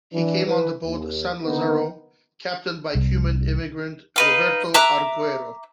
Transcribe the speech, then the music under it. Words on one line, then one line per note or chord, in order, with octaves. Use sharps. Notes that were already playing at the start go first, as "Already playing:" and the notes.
He came on the boat "San Lazaro" captained by Cuban immigrant Roberto Aguero.
E3 D4
E3 B4
D#2
D3 A#3 B3 D#4
C2
D#4 B4 F5
E5 A#5 D6 F#6